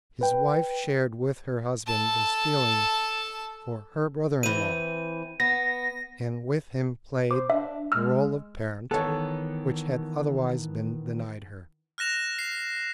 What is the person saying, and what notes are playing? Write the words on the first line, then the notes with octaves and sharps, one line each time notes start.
His wife shared with her husband this feeling for her brother-in-law, and with him played the role of parent, which had otherwise been denied her.
B4 G5
A4 A5
E3 C4 D#7
B3 A#6
C5 D6
D4 E5
G#3 E6 F6
D#3 E3 B3 A4 C#5
F6 F#6 A#6 E7 F7
C7